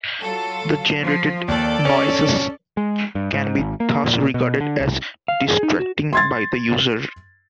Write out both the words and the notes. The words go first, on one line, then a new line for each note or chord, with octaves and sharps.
The generated noises can be thus regarded as distracting by the user.
F#3 F4 A4
F3
D#2 A4 D5
C#4
G#3
G2
G#2
G#1
A#3
A#2
B2
D3
C2
F5
G#4
D#4
F#4
C6 G#6 A6